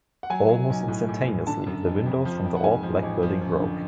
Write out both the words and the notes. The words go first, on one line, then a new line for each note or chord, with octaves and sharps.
Almost instantaneously, the windows from the old black building broke.
F#5
F#3 G#5
F#3
B1
A2
A2
A2
D3 A5
F#2
F#1
F2
F3
F2
F#5
G#2 G#5
F3
A1
F3
F#2
D3